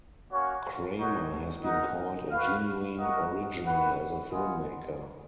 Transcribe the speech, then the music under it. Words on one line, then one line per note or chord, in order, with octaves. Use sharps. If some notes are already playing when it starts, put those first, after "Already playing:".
Kramer has been called "a genuine original" as a filmmaker.
A#3 C#4 F#4 C#5
D#4 F#4 C#5 F#5
D#4 A#4 D#5 F#5
F#4 B4 F5
F#4 A#4 D#5 F#5
B3 F#4 B4 F#5
B3 F4 G#4 D#5 F#5